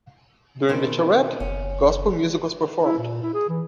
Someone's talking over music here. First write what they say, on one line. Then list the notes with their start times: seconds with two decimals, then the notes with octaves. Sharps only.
During the charrette, gospel music was performed.
0.69 B2 D#3 C4
1.40 F#1 C#4
2.85 E4
2.98 A#2
3.22 E4
3.34 G#4
3.49 E3